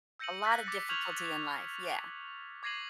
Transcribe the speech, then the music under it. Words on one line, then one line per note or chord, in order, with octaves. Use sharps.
A lot of difficulty in life, yeah,
E6 G6 A#6 C#7 D#7 F#7
E6 F#6 A6 B6
D6 A6 A#6 C#7
C#6 F6 G6 G#6 F7 F#7
D6 G#6 A#6 C7 D#7 F#7